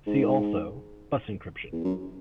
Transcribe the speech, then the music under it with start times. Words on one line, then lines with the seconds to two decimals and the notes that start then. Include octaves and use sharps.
See also bus encryption.
0.07 G#2
1.72 E2
1.84 F#2